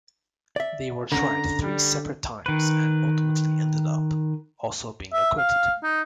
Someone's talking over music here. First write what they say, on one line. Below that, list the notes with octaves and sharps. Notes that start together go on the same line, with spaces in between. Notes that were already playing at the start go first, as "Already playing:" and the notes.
They were tried three separate times and ultimately ended up also being acquitted.
D5 E5
D3 C#4 A#5
G3
D#3 B4
E5
F5
D#4